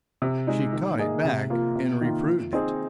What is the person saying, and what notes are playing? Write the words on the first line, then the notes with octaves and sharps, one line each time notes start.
She caught it back and reproved it.
C3
G#3 D#4
D#3
A#3 G#4 D#5
C3
F3 A#3 F4
C3
D#3 A#3 F4
F3
C4 D#4 G#4